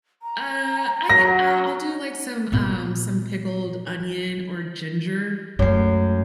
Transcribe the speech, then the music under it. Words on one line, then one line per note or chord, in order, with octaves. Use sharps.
uh, I get I'll I'll do like some, um, some pickled onion or ginger.
A#5
F#3 A#6
A#2 B3
F#2 G#3 A3 C7